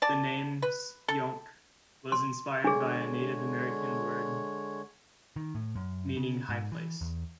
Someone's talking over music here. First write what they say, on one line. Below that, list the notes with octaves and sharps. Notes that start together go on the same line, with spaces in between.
The name "Speonk" was inspired by a Native American word meaning "high place".
D5 A5
B4
A4
C6
D3 G#3 D4 G#4 C#5
D#3
A2
F#2
C#3
G#2
E3
E2